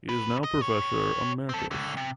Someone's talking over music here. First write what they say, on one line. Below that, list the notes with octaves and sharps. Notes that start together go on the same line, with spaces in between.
He is now Professor Emeritus.
D#2 B4
D#5
G4 C#5
C4 A4
C#2 D3
C3